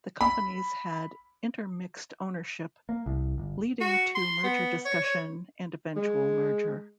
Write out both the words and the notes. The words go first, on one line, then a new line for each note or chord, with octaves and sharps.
The companies had inter-mixed ownership, leading to merger discussion, and eventual merger.
B5
A#3
C2
G1
F#4
C6
B3
C#5
C#5
G#3